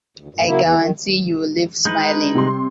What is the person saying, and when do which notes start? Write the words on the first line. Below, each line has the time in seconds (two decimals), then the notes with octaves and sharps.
I guarantee you will leave smiling.
0.17 D2
0.35 G2 A#2
0.46 C#3 F#3 A#3 E4
0.61 E2 E3
0.78 D#3
1.85 G#3 D#4 B4 G6
2.35 C3 G3 C6